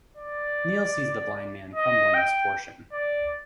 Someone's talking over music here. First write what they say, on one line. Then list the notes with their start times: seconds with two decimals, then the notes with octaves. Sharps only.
Neale sees the blind man crumbling his portion.
0.17 D5
1.75 D#5
2.14 G5
2.93 D5